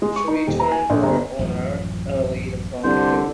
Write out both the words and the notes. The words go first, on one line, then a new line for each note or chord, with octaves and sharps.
She returned to her owner early the following year.
G#3
C#6
D#4
D#1
A#5
G#5
A#1
G1
A1 F#2 F3
C2 D3 C5